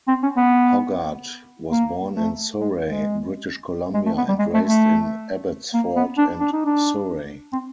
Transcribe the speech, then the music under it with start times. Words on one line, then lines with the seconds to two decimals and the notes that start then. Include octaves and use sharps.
Hoggard was born in Surrey, British Columbia, and raised in Abbotsford and Surrey.
0.08 C4
0.23 C#4
0.37 B3
1.71 A#3
2.15 A3
2.61 G#3
2.84 G#3
3.94 G#3
4.06 A3
4.18 B3
4.28 G3
4.39 G#3
4.54 A3
4.69 A3
5.74 A#3
5.96 B3
6.18 D4
6.40 D4
6.53 D#4
6.65 D4
7.53 C4